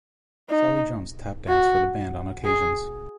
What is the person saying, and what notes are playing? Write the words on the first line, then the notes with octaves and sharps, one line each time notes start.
Sally Jones tap danced for the band on occasions.
D#4
F#4
G#4